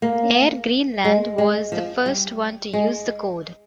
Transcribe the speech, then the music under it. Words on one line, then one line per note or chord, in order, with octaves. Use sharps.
Air Greenland was the first one to use the code.
A#3
G#3
G#3
F3
G3
G#3